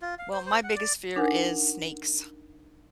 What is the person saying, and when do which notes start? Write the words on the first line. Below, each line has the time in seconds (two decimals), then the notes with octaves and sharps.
well, my biggest fear is snakes.
0.02 F4
0.19 F5
0.33 C5
0.46 C5
0.64 F#5
0.76 D5
1.16 D4 D#4 A#4 F#5 G#5